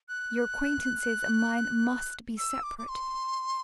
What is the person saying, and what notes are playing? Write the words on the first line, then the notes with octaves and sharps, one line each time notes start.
Your acquaintances and mine must be separate.
F#6
E6
D6
D6
C6